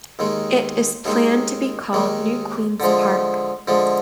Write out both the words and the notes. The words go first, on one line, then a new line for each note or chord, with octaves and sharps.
It is planned to be called New Queens Park.
D#2 D#3 G#3
D#2 D#3 G#3
D#2 D#3 G#3
D3 F3 G#3
D3 F3 G#3